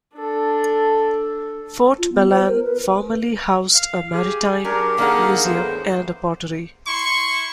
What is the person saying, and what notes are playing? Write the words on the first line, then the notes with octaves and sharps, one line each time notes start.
Fort Belan formerly housed a maritime museum and a pottery.
D4 A4
F4
B3
C5
A#4
B4
F5
G4 G#4
F#3 D4 G4 A#4
D#3 A#3 D4 G#4 F#5
E2 A2 B3 C5
E4 C6 C#6